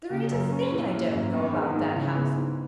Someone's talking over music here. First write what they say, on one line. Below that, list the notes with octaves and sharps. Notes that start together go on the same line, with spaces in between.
There ain't a thing I don't know about that house.
C#3 A#3
F#2
C#4
A#2 E3
A#3
G#2
F#2
D#3 B3
G#2
D#3
G#2
C#3 E3
B3
G#2